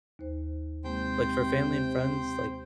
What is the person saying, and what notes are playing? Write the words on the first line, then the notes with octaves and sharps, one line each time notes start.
like for family and friends, like,
D#2 C5
C3 G#3 A#3 C5 G5